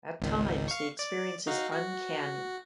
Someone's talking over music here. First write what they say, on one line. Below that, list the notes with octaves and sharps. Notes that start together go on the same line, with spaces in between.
At times the experience is uncanny.
G#1 C#2 D#3
F5 C#6
D5
D#4 F#4 F5
F#4